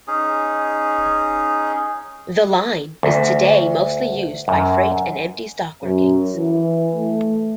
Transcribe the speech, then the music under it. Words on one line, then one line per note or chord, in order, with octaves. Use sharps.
The line is today mostly used by freight and empty stock workings.
C#4 D#4 G#4
D2
F#2
F#2
E3
A3